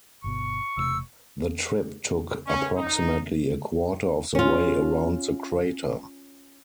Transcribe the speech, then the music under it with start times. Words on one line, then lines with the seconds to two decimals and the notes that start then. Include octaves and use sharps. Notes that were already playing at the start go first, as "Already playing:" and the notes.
The trip took approximately a quarter of the way around the crater.
0.24 G1 B2 C#6
0.78 E1 C3 A3 E6
2.46 C#4
2.75 D#4
4.35 C#4 F4